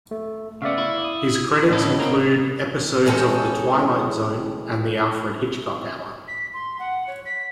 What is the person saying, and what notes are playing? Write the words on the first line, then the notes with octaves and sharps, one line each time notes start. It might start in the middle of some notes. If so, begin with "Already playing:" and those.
His credits include episodes of "The Twilight Zone" and "The Alfred Hitchcock Hour".
A3
C#3 B3 D5 E5 F5
E4
D#6
A2 C#3 A4 C#5 D#5 B5
C4 A#4
E3 G#3 C#4 A4 G5
B6
C6
F#5
C#5
B6